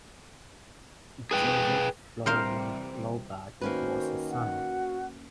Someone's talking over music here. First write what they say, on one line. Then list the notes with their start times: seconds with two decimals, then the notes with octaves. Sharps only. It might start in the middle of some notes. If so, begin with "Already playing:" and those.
Joseph Florimond Loubat was his son.
1.31 G#4 B4 G5
2.26 C3 E3 G3 A#4 C5 F5
3.61 D#3 A#3 C#4 F#4 B4 C5
4.29 F#5